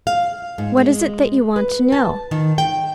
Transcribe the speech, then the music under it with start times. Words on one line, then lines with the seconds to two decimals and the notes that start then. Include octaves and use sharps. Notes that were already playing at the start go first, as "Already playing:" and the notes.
What is it that you want to know?
0.07 F5
0.58 G#2
0.77 G#3
1.56 B4
1.92 A5
2.31 D#3
2.58 G5